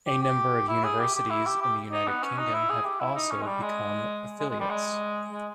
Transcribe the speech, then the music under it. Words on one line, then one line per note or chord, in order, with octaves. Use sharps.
A number of universities in the United Kingdom have also become affiliates.
G4
G4
E4
G#4
G4
G4
E4
G4
G4
D#4
B3
C#4
D#4
E4
G#4
G4
E4
D#4
C#4
G#3
G3
G#3
G#3
G#3
G3
G#3
G#3